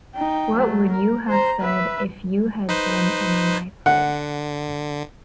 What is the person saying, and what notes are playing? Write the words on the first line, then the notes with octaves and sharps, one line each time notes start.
What would you have said if you had been in my place?
D#4 G5
F#3 A3
A#4
C5 A#5
B4 E5
D#4 B4 C5
D3 F#5